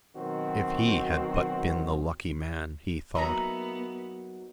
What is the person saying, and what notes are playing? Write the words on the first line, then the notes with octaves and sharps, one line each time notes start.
"If he had but been the lucky man!" he thought.
B2 D#3 F#3 C4 F#4
F#3 A#3 B3 D#4 E5 A#5